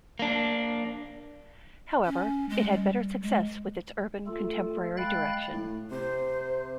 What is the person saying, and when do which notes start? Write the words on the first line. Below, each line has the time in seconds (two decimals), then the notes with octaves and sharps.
However, it had better success with its Urban Contemporary direction.
0.19 A#3 D4
2.05 C#4
2.49 G#3
2.72 G3
3.21 G#3
4.27 A3 F4 A4
4.97 G#3 F5 G5 B5 F#6 A6
5.53 A2
5.91 C3 C5